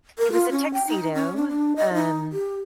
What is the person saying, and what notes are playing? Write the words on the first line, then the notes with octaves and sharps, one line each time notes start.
It was a tuxedo, um
A#4
F4
C#4
G5
D#4
C#4
D4
D4
D#5
D#4
G4